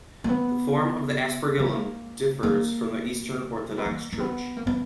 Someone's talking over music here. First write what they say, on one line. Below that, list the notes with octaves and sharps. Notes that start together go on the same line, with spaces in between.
The form of the aspergillum differs in the Eastern Orthodox Church.
A#3
B3
B3
A#3
A#3
B3
A#3
A#3
B3
A#3
B3